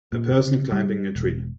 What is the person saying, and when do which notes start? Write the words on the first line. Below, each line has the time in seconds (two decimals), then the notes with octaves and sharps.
A person climbing a tree.
0.13 A#2
0.31 C3
0.72 G3
1.16 E1